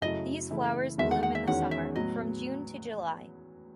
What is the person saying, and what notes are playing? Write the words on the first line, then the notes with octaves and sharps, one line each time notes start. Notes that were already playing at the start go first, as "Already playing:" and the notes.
These flowers bloom in the Summer, from June to July.
F#2 C#3 F#3 A3 E4 D#5
C#3 E3 A3 E4
E2 D#3 G#3 B3 F#4 E5
F#5
F#5
E5
E2 D#3 G#3 C#4 F#4 F#5
E5
A2 F#3 B3 D#5